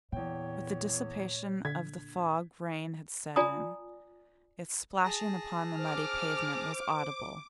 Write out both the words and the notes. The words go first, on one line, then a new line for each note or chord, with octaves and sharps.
With the dissipation of the fog rain had set in; its splashing upon the muddy pavement was audible.
E2 A#2 C#5 G5
D3 G#6 B6
F4 D5 G#5 A#5 D#6
G#4 A5 A#6
C5 D6 F6